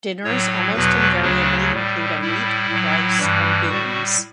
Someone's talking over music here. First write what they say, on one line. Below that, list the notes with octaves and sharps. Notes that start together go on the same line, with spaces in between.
Dinners almost invariably include a meat, rice and beans.
A2 F#3 C#5
E2 B2 F#3 B4
D2 C#3 F#3 D4
A2 G3
A2 G3 E4
A2 F#3
G2 E3 G3
A2 G3 F#4